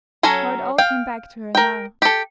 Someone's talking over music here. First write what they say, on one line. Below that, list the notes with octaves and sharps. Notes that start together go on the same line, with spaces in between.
How it all came back to her now!
F#3 C#4 A4 G#5 A#5
F5 G5
A#4 G5
G4 A4